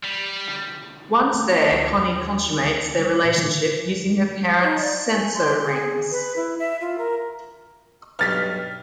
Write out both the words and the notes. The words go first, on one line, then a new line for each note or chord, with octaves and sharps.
Once there Connie consummates their relationship using her parents "senso-rings".
G3
A3
C#2
D#2
D2
G3
A#2
D#4
D5
G#5
C6
G#4
B4
E4
E5
F4
A#4
B1 G2 F6 A6 B6